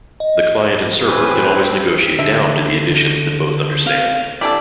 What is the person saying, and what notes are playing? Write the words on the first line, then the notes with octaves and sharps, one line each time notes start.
The client and server can always negotiate down to the additions that both understand.
D#5
A2 C4 B4 G#5
D3 E5
C4 F5
G3 D4 E4 A4 D5